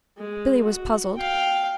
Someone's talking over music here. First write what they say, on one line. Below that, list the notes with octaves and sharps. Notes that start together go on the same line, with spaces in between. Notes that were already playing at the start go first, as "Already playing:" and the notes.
Billy was puzzled.
G#3
F#4
F5 G5